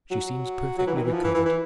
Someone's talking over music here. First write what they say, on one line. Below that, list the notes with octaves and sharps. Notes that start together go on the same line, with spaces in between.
She seems perfectly recovered.
F#3
F#3
E3
D#3
E3
F3
E3
E3
E3